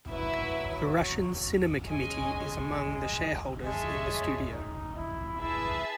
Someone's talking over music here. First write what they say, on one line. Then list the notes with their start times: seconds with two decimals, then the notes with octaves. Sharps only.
The Russian Cinema Committee is among the share-holders in the studio.
0.11 F#3 E4 B4 E5
1.88 G#3 C#4 G#4 D#5 G#5
3.64 G#3 G#4 C#5 E5 A5
4.53 D#4
4.96 E4
5.40 E4 G#4 B4 E5 A5